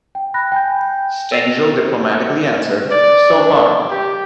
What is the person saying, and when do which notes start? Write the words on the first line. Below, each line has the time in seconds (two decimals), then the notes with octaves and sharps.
Stengel diplomatically answered, So far!
0.15 G5
0.34 B5 F#6 A#6
0.52 G5 G#5 G6
1.32 E6 A6 A#6 C7 F7
2.91 D5
3.34 D4
3.91 G4